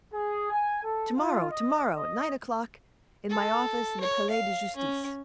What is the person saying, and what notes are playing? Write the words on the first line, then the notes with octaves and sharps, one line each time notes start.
"To-morrow!--to-morrow, at nine o'clock, in my office in the Palais de Justice."
G#4
G#5
A4
F4
D#5
D#5
A4
C#5
F5
C#4